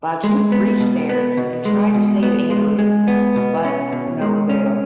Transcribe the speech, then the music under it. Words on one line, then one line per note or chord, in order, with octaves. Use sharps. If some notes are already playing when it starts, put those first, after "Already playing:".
Batuk reached there and tried to save Anirudh but to no avail.
G#3
B3
B2
B3
B2
G#3
B2
B3
G#3
G#3
B3
B2
C#4
B2
G#3
C#4